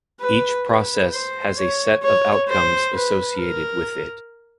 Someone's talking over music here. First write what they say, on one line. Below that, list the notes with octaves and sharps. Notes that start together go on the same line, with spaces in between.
Each Process has a set of outcomes associated with it.
B4
B4
C5
C#5
C#5
C5
B4
A#4